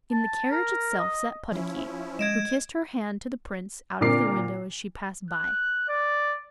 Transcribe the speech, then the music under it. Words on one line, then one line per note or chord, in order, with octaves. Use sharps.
In the carriage itself sat Puddocky, who kissed her hand to the Prince out of the window as she passed by.
A5
A#4
D#5
F3 C#4 E4
G#3 D#5 G#6 D7 E7
A#2 D3 C4 A#4 D6 C7
F#6
D5